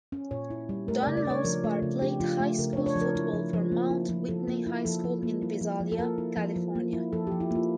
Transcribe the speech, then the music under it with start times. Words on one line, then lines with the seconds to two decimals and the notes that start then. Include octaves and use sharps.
Don Mosebar played high school football for Mount Whitney High School in Visalia, California.
0.12 C#4
0.31 A#2 C#5
0.50 E4
0.69 G3
0.88 A3 A#4
1.03 D5
1.07 C#3
1.17 D5
1.25 D4 C#5
1.44 F3 A#4
1.64 A3
1.82 C#3
2.02 D4 G4
2.20 F3 F4
2.40 A3
2.59 C#3 A#4
2.73 C#5
2.77 D4
2.86 C#5
2.96 F3
3.02 A#4
3.15 E4
3.33 F3
3.53 F3
3.72 A#3
3.90 E4
4.09 F3
4.28 F3 A4
4.48 A#3
4.67 E4
4.85 F3 A4
5.04 F3
5.23 A#3
5.42 E4
5.61 F3
5.80 F3
5.92 A4
5.99 A#3 A#4
6.18 E4
6.37 F3
6.56 F3
6.75 A#3
6.93 E4
7.13 F3 A4
7.27 G4
7.32 F3
7.40 E4
7.51 A#3 F4